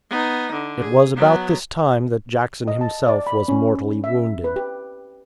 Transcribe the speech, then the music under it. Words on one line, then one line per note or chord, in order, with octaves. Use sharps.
It was about this time that Jackson himself was mortally wounded.
B3 D#4
D3
G#4
F#3 B3
D#5
A5
D5
B5
C#4
E5
B4
G4